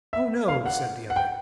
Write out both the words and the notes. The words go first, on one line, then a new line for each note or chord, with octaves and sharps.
"Oh no," said the other.
E5
F5
F#5
F#5
G5